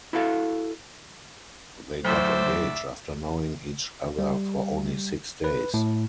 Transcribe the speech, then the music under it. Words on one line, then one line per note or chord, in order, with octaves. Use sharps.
They got engaged after knowing each other for only six days.
E4 F#4 A4 F5
D2 A2 F#3 C5 D5 E5
G3
B4
A2